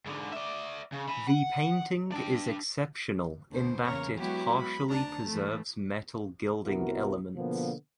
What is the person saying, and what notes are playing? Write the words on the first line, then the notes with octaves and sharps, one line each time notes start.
The painting is exceptional in that it partially preserves metal gilding elements.
G#2 D3
D5 E5
C#3
G#5 B5
F#5
D4 G5
D2 B2 C5
E2 C#3 A#3 A#4 C#5 C#6
F#3 G#3 B3 E4 F#4 G4
B5
D2 D4 A5 A#5
E3 A3
C2 B3 E4 F#4 A#4
B2 D3 F3 A#3 B3